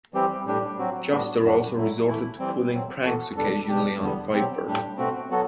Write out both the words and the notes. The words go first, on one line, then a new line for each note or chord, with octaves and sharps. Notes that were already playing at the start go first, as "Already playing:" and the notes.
Juster also resorted to pulling pranks occasionally on Feiffer.
E3 G3 C4 G4
A2 G3 D4 G4
F#3 C4 F#4
A2 G3 B3 D4 F#4
F#2 E3 G3 D4 F#4
A2 F#3 A3 E4
E3 A3 E4
E3 G3 C4
B2 F#3 C4
E3 B3 F#4 A4
E2 B2 G3 D4 A4
B2 G3 D4 G4
E2 D3 G3 B3
B2 F#3 C4 G4
A2 G3 D4 G4
B2 A3 C4 F#4
F#3 B3 F#4 A4